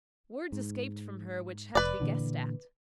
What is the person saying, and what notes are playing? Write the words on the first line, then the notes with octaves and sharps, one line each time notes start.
Words escaped from her which had to be guessed at.
G#2
F1 B4 D5
A#2 D3 E3